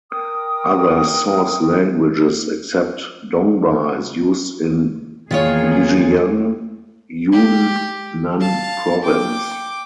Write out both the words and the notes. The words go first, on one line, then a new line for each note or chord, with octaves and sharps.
Other source languages, except Dongba is used in Lijiang, Yun Nan province.
A#4 G5 D#6
E2 D#3 A#3 F4 G#4 C#5
G4
F5 A5
G5 D6